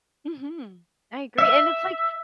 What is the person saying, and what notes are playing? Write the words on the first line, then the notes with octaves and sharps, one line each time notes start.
Mhm, I agree, and it's, like,
E5